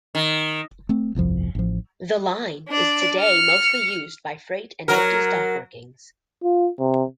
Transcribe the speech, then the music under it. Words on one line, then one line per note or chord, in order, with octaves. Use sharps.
The line is today mostly used by freight and empty stock workings.
D#3
A3 C4
G1 C2 F2 F3
A1 F3
D4 D5
F6 C#7
F#3 A#4
F4
C3